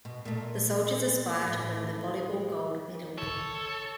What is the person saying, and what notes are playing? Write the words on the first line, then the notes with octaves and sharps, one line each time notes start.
The soldiers aspire to win the volleyball gold medal.
B2
A#2 A3
A2
A4 C#5